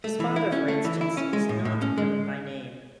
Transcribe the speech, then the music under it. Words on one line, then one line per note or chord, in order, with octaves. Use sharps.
His father, for instance, is not known by name.
A3
E3
E4
C#4
A3
E3
E4
C#4
G#3
A2
A2
C#4
G#3